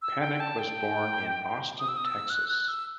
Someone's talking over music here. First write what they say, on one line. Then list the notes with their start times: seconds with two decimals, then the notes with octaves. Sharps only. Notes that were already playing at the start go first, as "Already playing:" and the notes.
Penick was born in Austin, Texas.
0.02 E6
0.20 G5
0.40 A5
0.59 G5
1.79 D#6
1.88 E6
1.97 D#6
2.05 E6
2.30 F#6
2.49 F#6
2.68 E6